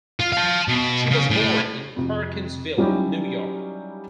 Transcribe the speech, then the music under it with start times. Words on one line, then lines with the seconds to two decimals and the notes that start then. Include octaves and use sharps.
She was born in Perkinsville, New York.
0.20 F4
0.32 F5 A5
0.68 B2
1.10 C#3
1.30 A2
1.96 F2 C3
2.78 F#3 G3 C#4 D#4 E4 G4